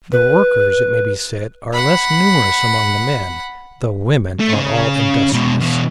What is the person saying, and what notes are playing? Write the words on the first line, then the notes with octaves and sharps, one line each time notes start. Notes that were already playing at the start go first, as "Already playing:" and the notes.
The workers, it may be said, are less numerous among the men; the women are all industrious.
B4
F#5 B5
A3
C#3 C#4
B2 G#3
B2 E3